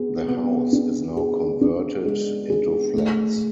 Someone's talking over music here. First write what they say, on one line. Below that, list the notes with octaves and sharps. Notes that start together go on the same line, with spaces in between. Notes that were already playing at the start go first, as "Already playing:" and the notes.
The house is now converted into flats.
Already playing: B3 G#4
B3
D4
G#4
D4
G#3
G#4
A3